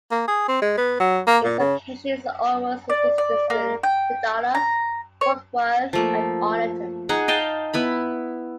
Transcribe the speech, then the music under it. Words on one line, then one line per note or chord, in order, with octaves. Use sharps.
Its location is almost equidistant to Dallas, Fort Worth, and Arlington.
A#3
G#4
C4
G#3
B3
F#3
A#3
A#2
C#3
D5
D5
A#3
G5
A#5
C#5
F3 A3 A#3
D#4 G#4 F#5
D#5 F5 G5 A5
B3 E4 B5